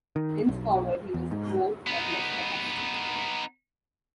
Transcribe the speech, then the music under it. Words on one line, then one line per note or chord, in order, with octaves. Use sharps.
Henceforward he was more or less a husk.
D#3
B1
E2
G#2
B3 D#4